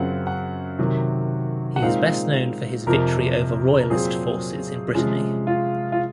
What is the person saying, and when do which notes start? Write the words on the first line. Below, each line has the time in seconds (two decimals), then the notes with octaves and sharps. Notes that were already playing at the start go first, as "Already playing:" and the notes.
He is best known for his victory over Royalist forces in Brittany.
Already playing: F#2 C#3 F#3 C4 F4 F#5
0.27 F#5
0.79 C3 D#3 F#3
1.76 F#5
1.82 A#2 G#3 C4 D#4 F5
2.87 F2 C3 F3 A#4
3.80 A#4
3.90 A#2 F#3 C4 F4 G#4
4.95 C3 F3 G#3 C#4
5.47 F4
5.92 F4